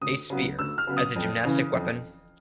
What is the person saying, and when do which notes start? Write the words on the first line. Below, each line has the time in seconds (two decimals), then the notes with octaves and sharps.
A spear, as a gymnastic weapon.
0.01 D2 D#6
0.30 C#3 F#3 B3
0.59 D2 E6
0.78 F6
0.87 C#3 F#3 B3
0.97 D#6
1.16 F2
1.45 C#3 E3
1.73 F2